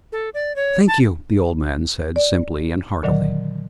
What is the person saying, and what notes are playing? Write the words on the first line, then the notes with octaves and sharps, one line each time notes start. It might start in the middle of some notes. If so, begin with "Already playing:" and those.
"Thank you," the old man said, simply and heartily.
A4
D5
C#5
A5
D5
A#2 D3 D#3 F#3